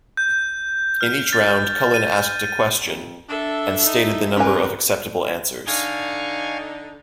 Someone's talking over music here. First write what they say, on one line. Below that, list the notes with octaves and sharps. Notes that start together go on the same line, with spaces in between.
In each round, Cullen asked a question and stated the number of acceptable answers.
G6
F6
A6
D#7
F2
D4 A4 E5
D#4
C3 C#4 A#4 B4 G#5
D3 D#4 F5 G#5 C#6